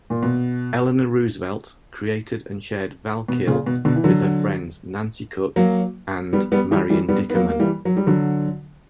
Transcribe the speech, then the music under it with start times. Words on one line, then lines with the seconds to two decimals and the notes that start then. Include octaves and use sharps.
Eleanor Roosevelt created and shared Val-Kill with her friends Nancy Cook and Marion Dickerman.
0.10 A#2
0.23 B2
3.28 B2
3.47 A#2 C#3
3.66 B2
3.85 B2 D3
3.96 E3
4.04 D3 F#3
5.56 F#3 A#3
6.33 G3 B3
6.52 G3 B3
6.71 E3 G3
6.90 E3 G3
7.09 G3 B3
7.30 B3
7.34 F#3 A#3
7.49 A#3
7.60 E3 G3
7.85 F#3
7.97 G3
8.07 D3 F#3